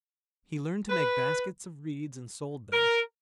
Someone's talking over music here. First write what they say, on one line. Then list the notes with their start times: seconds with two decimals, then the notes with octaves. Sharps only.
He learned to make baskets of reeds and sold them.
0.89 B4
2.73 A#4